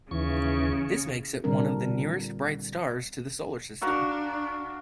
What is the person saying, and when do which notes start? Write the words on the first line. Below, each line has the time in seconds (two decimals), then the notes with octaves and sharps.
This makes it one of the nearest bright stars to the Solar System.
0.11 D#2 C#3 E3 C#6
1.44 A#2 D3 G3 C4 D4 A#4
3.81 D4 F#4 A#4 F5